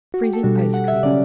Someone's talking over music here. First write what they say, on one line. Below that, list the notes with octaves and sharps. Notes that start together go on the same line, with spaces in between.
Freezing Ice Cream.
F#4
G4
A4
B2 G3 D4 F#4
G4
F#5
E5
C#3 F#3 C#4 D5